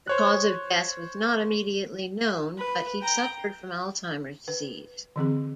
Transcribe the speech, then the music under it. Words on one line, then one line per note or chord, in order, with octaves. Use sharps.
The cause of death was not immediately known but he suffered from Alzheimers' disease.
C5 C#5 F#6
B4
G5 A#5
B4
D3 E3 C4 G#4